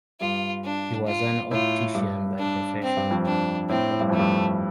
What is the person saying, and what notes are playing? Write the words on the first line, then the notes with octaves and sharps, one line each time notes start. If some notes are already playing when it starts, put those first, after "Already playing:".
He was an optician by profession.
G2 F4
D4
F4
A2 F4
G2
D4
C4
G2
F2
D4
A2 C4
A2
G2
F2 A3
G2